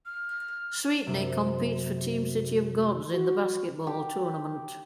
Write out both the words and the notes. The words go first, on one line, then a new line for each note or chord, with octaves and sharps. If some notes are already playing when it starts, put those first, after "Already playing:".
Sweetney competes for Team City of Gods in The Basketball Tournament.
F6
F#2 C3
F#4
G4